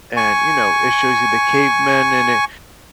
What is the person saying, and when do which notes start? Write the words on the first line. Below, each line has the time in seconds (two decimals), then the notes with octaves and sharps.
and, you know, it shows you the cavemen and it
0.17 G#5 C#6